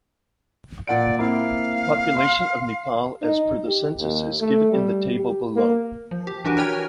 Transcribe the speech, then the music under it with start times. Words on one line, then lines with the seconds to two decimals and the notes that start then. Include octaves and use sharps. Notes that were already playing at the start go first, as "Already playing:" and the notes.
The population of Nepal as per the census is given in the table below.
0.87 A#2 D5 F#5 D7
1.19 A#3 C4 E4 F5
2.17 C6
3.22 D#4
3.67 G4
3.99 D#2
4.40 A3
4.72 G3
5.17 G4
5.56 A#3
6.11 F3
6.27 G4
6.45 E3 D4 F#4 G4 A#4 B4
6.57 A#4 B4 C#5 G5 F6 G#6
6.73 G#5